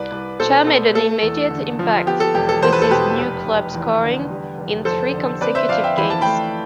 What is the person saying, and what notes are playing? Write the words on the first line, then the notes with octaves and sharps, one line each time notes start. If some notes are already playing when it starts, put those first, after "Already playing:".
Cha made an immediate impact with his new club, scoring in three consecutive games.
Already playing: C2 B4 D5
C2
B2 A4 C5
B3 A4
A3 A4
E2
D3
F3
B3 G4
A4
E1 G4
A4
E2 C5
B4
A4
B2 G4 B4
F1
F1
E2
D3
G3
F1
F2 A4 C5
D3
C4 B4 D5
C5 E5
F2 D5 F5
E5 G5
E3 B5
A5
A3 G5 B5